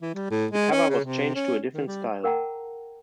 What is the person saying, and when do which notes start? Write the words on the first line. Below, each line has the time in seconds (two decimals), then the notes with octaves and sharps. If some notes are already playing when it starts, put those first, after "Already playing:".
The cover was changed to a different style.
0.02 E3
0.15 G3
0.31 A2
0.51 G#3
0.71 C#4
0.89 C#3
1.04 C3
1.35 C#4
1.74 D#3
1.87 G3
2.23 G#4 A#4 F#5 G5 A5 A#5